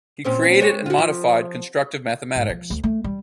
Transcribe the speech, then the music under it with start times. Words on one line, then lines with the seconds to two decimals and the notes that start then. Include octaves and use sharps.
He created and modified constructive mathematics.
0.24 A#2 C4 C#4
0.60 G#3 G4 C#5
0.86 F4 F#4
0.98 F3
2.35 G#2
2.49 F3
2.70 D2
2.84 A3
3.04 G3